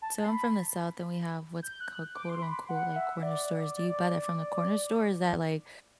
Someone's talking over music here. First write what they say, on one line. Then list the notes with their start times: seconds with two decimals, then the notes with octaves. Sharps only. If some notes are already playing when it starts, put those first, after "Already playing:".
So I'm from the south and we have what's called quote unquote, like "corner stores." Do you buy that from the corner store? Or is that, like,
0.02 A5
0.24 C6
0.29 B5
1.63 G6
1.80 F#6
2.15 D6
2.29 C6
2.43 B5
2.69 F#5
2.96 E5
3.23 D5
3.77 D5